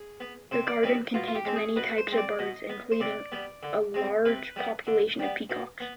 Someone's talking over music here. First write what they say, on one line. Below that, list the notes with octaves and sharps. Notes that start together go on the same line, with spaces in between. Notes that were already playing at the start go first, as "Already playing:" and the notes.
The garden contains many types of birds, including a large population of peacocks.
Already playing: G#4
B3
C3 C5
D5
D#3 G3 C4 B4
B2 F4
F4
G4
G#3 C4
G#4
B2 B4
C5
G#3 C4
D5
B2 D#5
B3
C5
C3 D5
G3 B3
D3
G#3 C4
C3 B4
G3 B3
D3
G3 B3
B2
B3